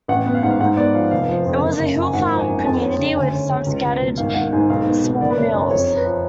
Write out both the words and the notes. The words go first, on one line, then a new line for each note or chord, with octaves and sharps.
It was a "hill farm" community with some scattered small mills.
A1 F#5
B3
F5
G#2 F#5
F5
G#2 F#5
B3 D5
F3 F5
F1 F5
F3
F2
F#1
F#1
F#2
G#5
G#1 F#5
F3
G#5
F#2
G#5
F2 A5
C#4
C#3
D2 G#5
C#4
C#3
C#2
C#2
B2
G#1 F5
F5
G#1 F#5
G#2 G#5
B1 F5
B3
B2
F#1 D5
B4
F#1 C#5
F#2 C#5
F2 C#5
C#4
B4
F3